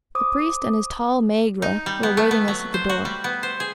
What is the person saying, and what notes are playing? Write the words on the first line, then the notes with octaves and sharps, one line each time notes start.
The priest and his tall Megaera were awaiting us at the door.
C5 D6 D#6
D#4
G3
B3
A3
B3
F#3
C5
F#4
G3
B3
C5
G#4